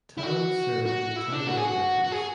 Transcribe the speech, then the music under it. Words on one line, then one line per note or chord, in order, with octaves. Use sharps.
Tan served in the Taiwan Air Force.
E4
F#4
F#4
E4
D4
F#4
G#4
F#4
F#4
G#4